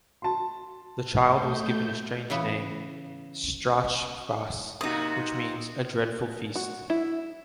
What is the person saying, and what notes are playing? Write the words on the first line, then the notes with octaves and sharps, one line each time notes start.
The child was given a strange name: Strachkvas, which means "a dreadful feast".
A5 C6
A3 G6
C#3 E3 B3
C3 A#3 D#4 F#4 D#6
F#4
E4